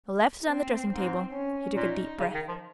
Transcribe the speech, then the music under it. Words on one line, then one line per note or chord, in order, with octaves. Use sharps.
"Left it on the dressing-table." He took a deep breath.
C4
G#2 C4
C#4
A#2 D#4
C#3
D#3
F3